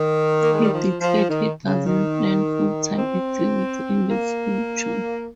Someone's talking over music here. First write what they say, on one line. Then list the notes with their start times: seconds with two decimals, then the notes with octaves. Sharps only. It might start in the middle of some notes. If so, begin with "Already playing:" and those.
He declared he doesn't plan full-time activity in the future.
Already playing: D#3
0.42 A#3
0.52 G#3
0.62 G3
0.72 F3
1.00 F3
1.29 D#3
1.65 C#3
1.85 D#3
2.97 C4
4.09 A#3